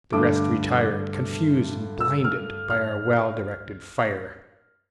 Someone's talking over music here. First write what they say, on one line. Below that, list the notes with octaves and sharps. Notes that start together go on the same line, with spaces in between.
The rest retired confused and blinded by our well-directed fire.
G2 D3 A3 D6
E6
F6
F6